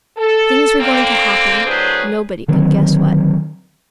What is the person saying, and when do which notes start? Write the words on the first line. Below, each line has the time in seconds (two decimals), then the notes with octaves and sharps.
Things were going to happen, nobody could guess what.
0.17 A4
0.80 D3 A#3 C4
1.65 A2 F#3 D4 G#4 B4 C5
2.48 D3 D#3 F#3 C4